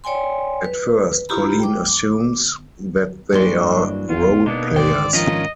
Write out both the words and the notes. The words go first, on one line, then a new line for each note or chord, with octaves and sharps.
At first Colleen assumes that they are role-players.
C#5 D5 G5 G#5 C6
B4
E4 F4 G4 A#5 B5
G5 D6
D6
G2 E3 F#3 A#3 D4 C6
B3 F4
B2 A#3 B3 D4 D#4
G#2 D#3 C5 D5 G5
D2 F3 C#4 F4 A#4 D#5